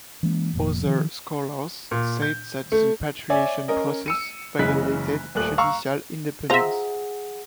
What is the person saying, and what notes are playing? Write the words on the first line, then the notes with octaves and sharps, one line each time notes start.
Other scholars said that the patriation process violated judicial independence.
E3 G#3 A#3 C#4
F1 F2 A#2
D#3 F3
A#2
G6
A3
C#5 D5 E5 G#5
C#4 A#4 D#5
E6 C#7 D#7
F#1 C#3 E3 G#3 F#6 B6
D#1 A#2 A3 F#6 F#7
F5 A#5 C#6 E6
F4 G#4 C5 E5 F#5 A#5